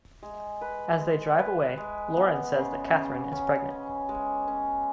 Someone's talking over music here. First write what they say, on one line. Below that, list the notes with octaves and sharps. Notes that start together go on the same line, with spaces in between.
As they drive away, Loren says that Katherine is pregnant.
G#3
B4
G#3
B4
G#3
B3
C#3
C#3
C#4
C#4
G#3
C#4